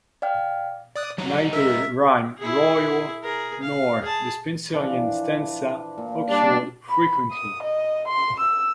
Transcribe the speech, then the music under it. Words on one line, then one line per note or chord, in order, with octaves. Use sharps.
Neither rhyme royal nor the Spenserian stanza occurred frequently.
D5 F5 G5 F6
D5 D#6 F#6
F#3 G3 D#4
A#4 E5
E4 G#4
G#4 A#4
F5
G#4 A5
E3 F3 D4
A#2
G3 D4
B5
D#6
D#5
C6
E6